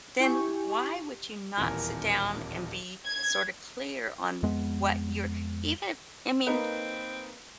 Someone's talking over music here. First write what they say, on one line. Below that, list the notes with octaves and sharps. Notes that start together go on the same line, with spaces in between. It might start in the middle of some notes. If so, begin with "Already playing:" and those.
then why would you not sit down and be sorta clear on what you're even if I mean
E4 G4 G#5 C#6
D#1 A1 E2 A#4 G#5
G#6
F2 G#3 B3
A#3 C4 D#4 B4